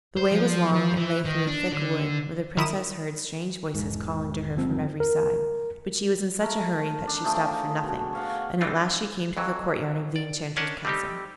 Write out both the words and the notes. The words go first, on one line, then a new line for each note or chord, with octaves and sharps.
The way was long, and lay through a thick wood, where the Princess heard strange voices calling to her from every side, but she was in such a hurry that she stopped for nothing, and at last she came to the courtyard of the Enchanter's castle.
C5
F3
F3
E3
D#3
D4
D3
D#3 E4 D#6 E7
E1 G#2
G1 F3 C4
A#4
A3 A#4
D4
F3 A3 G#4 A#4
B2
C#5 F5 F#5
E3 C4 D4 D#4 F4
F2 E3 F#3
D5
C#4 D4 A#4 D#5 F#5 A5
G3 A3 C4 D#4 G4